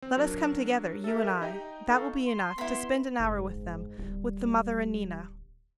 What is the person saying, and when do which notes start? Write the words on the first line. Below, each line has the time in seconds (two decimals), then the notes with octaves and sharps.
Let us come together, you and I, that will be enough, to spend an hour with them, with the mother and Nina.
0.02 C4
0.17 F#3 D4 A#4
1.04 G4 A4 A#4 E5
1.42 D#4 D#5 G5
1.90 D#4 A4 F5 G5 C#6
2.26 C6
2.58 B3 E4 B5
3.19 F#1 G#2
3.98 D1 G3